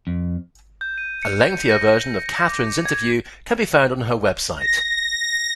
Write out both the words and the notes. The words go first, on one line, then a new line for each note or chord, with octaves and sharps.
A lengthier version of Kathryn's interview can be found on her website.
F2
G6
D#7
C#7
A#6
D6
G#6
A#6